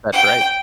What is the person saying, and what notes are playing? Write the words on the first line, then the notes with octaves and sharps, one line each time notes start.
That's right.
G5